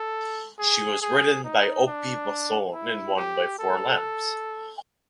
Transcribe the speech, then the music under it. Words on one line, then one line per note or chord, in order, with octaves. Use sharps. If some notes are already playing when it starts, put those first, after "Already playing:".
She was ridden by Opie Bosson and won by four lengths.
Already playing: A4
G#4
G#4
D#4
D4
E4
G4
A4